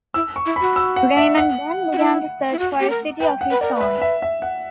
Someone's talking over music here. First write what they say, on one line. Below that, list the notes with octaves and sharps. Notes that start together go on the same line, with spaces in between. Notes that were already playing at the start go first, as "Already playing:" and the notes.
Raymond then began to search for a city of his own.
E4 E6
C#6
E4
F#4 B5
E6
F#5
E5
F#5
F#4
E4
E4
F#4
G4
A#4
B4 G5
F#5
B4
A#4 D5
B4
E5
E5
E5
F#5